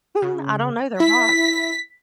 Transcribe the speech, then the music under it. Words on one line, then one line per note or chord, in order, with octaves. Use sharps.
Hmm, I don't know, they're blocked.
C#3
E4 B6